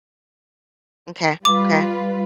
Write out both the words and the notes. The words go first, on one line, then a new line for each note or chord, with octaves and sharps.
Okay. Okay.
G3 F4 B4 D6